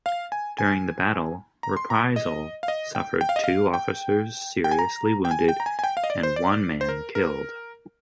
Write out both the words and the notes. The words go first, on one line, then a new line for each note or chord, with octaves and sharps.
During the battle, "Reprisal" suffered two officers seriously wounded and one man killed.
F5
G#5
G#5
A#5
C6
A#5
D#5
F5
D#5
G5
G5
F5
D#5
F5
G5
G5
G#5
A#5
G5
G#5
G5
A#5
G#5
G#5
G5
F5
D#5
D5
C5
D5
C5
A#4
A#4